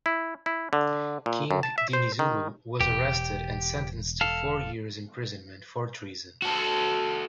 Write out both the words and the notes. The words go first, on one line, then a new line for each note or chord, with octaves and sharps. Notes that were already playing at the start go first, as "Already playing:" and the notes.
King Dinizulu was arrested and sentenced to four years imprisonment for treason.
E4
E4
D3
A#2
F#2
A5
E5
C5
D#3
E1 G4
A4 F5
F#4 A4